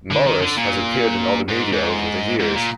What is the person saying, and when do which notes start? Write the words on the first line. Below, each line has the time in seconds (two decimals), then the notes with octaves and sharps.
Morris has appeared in other media over the years.
0.11 D3
0.27 D#3
0.42 D3
0.57 A#2
1.49 G#2
1.72 G#2
2.40 G#2
2.56 A#2